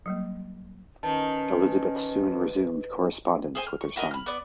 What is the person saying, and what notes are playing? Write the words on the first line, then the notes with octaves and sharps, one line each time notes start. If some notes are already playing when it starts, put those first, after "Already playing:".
Elizabeth soon resumed correspondence with her son.
F#3 G3 A#3
D#3 C#4 B4 A5
G#4 C5 G#5
F6
C#6
E4 F#4 A#4 D#5
B5 F6
B3 D5